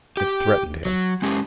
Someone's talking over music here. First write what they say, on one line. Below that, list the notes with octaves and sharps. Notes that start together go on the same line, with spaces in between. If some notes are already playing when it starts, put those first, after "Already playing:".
It threatened him.
G4 G5
F#3
G#3 C#4 G4